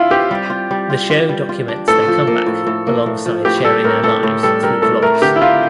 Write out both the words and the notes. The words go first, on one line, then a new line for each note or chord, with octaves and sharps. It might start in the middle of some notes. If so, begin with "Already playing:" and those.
The show documents their comeback alongside sharing their lives through vlogs.
Already playing: E4 F4
C4 G4
G3
F4
G3
F4
F4
G3
F4
D4
A2 A4
F3
A#3
A2
A2
A#3
A2
F3
A2 G4
G3 A4
A2 A#4
A2 A4
A2
G3 A4
G3 A#4
A2 A4
A3 A#4
D3 G4
E4
D3 F4